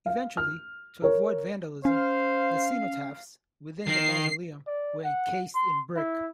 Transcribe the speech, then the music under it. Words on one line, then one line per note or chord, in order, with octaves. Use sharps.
Eventually, to avoid vandalism, the cenotaphs within the mausoleum were encased in brick.
F5
F6
A#4 C#5
C#4 C5 F5
D#3 C7
D5
F#5
C6
E4